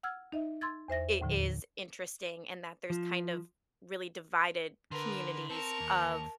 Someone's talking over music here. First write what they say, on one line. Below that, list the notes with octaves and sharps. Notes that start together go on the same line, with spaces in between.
It is interesting in that there's kind of really divided communities of,
F#5 E6 F6 G#6
D#4 D#5 E5
C6 E6 G#6 A6
E2 C5 E5 A#6
D#2 A2 D3 F3
F3
D3 A#4 B4 C6
C4 A#4 C5 A5 C#6
D#2